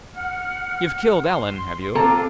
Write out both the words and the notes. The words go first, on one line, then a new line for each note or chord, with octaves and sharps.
You've killed Alan, have you?
F#5 F6
C6
C4 F4 A4 A#5 D6